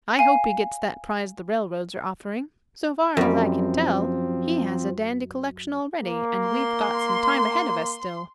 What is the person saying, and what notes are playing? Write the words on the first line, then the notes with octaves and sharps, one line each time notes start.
"I hope he gets that prize the railroads are offering. So far as I can tell he has a dandy collection already, and we've got some time ahead of us still."
F5 G#5
F#2 F3 G3 C4
A#3
C6